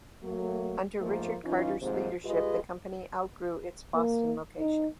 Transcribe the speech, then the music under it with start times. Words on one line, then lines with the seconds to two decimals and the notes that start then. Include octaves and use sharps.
Under Richard Carter's leadership the company outgrew its Boston location.
0.23 F#3 A3 A#3
1.00 G#2 F3 A3 A#3
1.44 E3 C#4 D#4 F4
1.82 D#2 G#2 C3 F3 C4 C5
2.24 G#3 F4 G4 G#4 B4 D#5
3.94 A#3
4.59 D#4